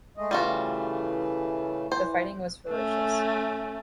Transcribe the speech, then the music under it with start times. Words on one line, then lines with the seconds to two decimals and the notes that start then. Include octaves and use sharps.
The fighting was ferocious.
0.17 G#3 A3 D#5
0.31 C#3 E3 G3 A3 F4 F#4
1.92 E3 C5
2.69 A3 C#4